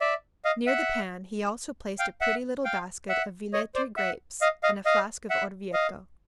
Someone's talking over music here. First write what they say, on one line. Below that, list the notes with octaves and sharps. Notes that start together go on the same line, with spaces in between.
Near the pan he also placed a pretty little basket of Villetri grapes and a flask of Orvieto.
D5 E5
D#5 F5
E5 F#5
F5 G5
E5 F#5
F5 G5
E5 F#5
C#5 D#5
C5 D5
E5 F#5
D#5 F5
D#5 F5
D#5 F5
E5 F#5
D#5 F5